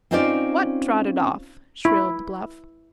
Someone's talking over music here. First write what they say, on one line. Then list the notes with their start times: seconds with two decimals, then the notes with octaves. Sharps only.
"What trotted off?" shrilled Bluff.
0.11 C4 C#4 D#4 F4 C5 D5
1.85 E4